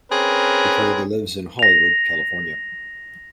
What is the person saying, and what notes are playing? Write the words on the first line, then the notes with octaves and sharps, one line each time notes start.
He currently lives in Hollywood, California.
C4 C#4 G#4 A#4 B4
A#6 F7